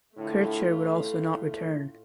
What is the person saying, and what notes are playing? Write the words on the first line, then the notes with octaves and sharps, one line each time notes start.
Kircher would also not return.
A2 D3 A3 F4
A2